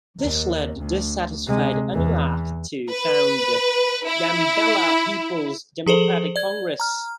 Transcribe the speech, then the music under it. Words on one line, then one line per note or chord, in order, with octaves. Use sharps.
This led dissatisfied Anuak to found the "Gambella People's Democratic Congress".
D#2
D2
C3 G#3
E2 E3
B4
E4
F3 G#4 A4 C5 F#7
D5 G#6
A#5 F6